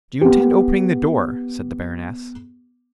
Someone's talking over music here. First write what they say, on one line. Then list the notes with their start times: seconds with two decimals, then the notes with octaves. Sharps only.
"Do you intend opening the door?" said the baroness.
0.21 B3 G4